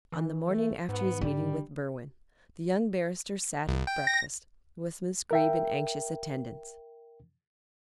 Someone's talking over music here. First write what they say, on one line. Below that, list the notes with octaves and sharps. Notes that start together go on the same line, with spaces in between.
On the morning after his meeting with Berwin, the young barrister sat at breakfast, with Miss Greeb in anxious attendance.
E3
A3
G#2 B3
D3 G3
C2
G5
A#6
A#4 E5 G5